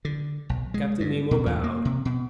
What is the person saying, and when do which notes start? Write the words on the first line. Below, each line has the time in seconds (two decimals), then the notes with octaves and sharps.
Captain Nemo bowed.
0.05 D3
0.49 B1
0.74 G#3
1.00 G2
1.31 B2
1.46 E2
1.64 A#3
1.85 C3
2.05 B2